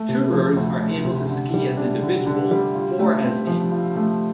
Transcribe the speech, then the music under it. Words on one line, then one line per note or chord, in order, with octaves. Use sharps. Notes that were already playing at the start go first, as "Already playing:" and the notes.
Tourers are able to ski as individuals, or as teams.
Already playing: A3
C3
F3
D2
A3
C3
D3
G3
D4
D3
D3
G3
F4
A3
C4
F3
F4
A3